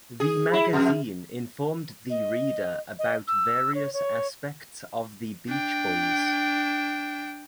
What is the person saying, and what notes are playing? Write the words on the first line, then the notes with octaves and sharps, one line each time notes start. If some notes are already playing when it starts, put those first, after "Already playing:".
The magazine informed the reader about various aspects of the Beach Boys.
G#4
E4
F2
D#5
D#5
E6
C#5
C#5
D4 G5